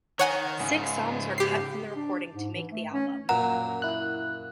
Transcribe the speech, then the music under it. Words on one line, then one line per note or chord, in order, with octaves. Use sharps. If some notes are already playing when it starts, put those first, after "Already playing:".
Six songs were cut from the recording to make the album.
D#3 C#5 F#5 G#5
G#2 C#3
G4 C7
D4
G#2
E3
A3
C#4
F#2 A#2 F#5 A#5
E4 F#6